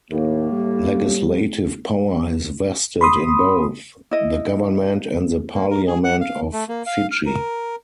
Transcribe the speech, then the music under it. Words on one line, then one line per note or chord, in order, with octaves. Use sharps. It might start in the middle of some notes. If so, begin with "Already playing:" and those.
Legislative power is vested in both the government and the Parliament of Fiji.
D#2 A2 A#3
G3
B5 C6 D#6
E4 D#5
A#3
A#4
G#4
F#5
F5
A3
A#3
F5
F6
A#4